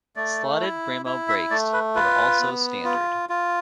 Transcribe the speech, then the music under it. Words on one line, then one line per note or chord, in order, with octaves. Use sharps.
Slotted Brembo brakes were also standard.
A3 D5
E4
E4
E5
A3 D5
B4
F4 B4
B3
F4
F4